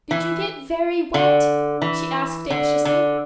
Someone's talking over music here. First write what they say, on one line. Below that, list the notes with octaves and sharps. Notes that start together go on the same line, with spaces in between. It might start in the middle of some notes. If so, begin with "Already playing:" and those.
"Did you get very wet?" she asked anxiously.
E3
D3
E3
D3
D3